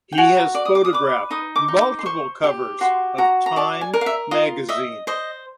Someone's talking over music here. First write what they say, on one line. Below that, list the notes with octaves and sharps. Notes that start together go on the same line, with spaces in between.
He has photographed multiple covers of "Time" magazine.
G5
F#4 G#5
A#5
D5 D6
D#6
D6
D#6
B4 D6
D#4 D#6
D6
D#4
D6
C6
C5 C#6
G4
F#4 C6
F#4 A#5
A#5
D5 A5
G#5
A#4
F5
E5
F4 D#5
D#5 E5
C5 D#5